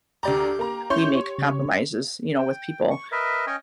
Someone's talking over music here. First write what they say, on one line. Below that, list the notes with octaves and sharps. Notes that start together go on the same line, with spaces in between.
we make compromises, you know, with people.
D2 G4 D5 A#5
A#3 A#5
C#4 E4 C#5 C6 C#6 G6
C#3
G5
C#6
A#4 B4 D#5 E5
C#4 C#5 D#5 G5 G#5